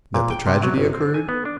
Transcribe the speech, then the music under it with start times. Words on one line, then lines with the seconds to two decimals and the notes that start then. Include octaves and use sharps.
"That the tragedy occurred?"
0.14 A#2
0.31 G5
0.47 C3
0.63 F#3
0.78 G1
0.94 C4
1.14 G#5
1.29 B3
1.45 D4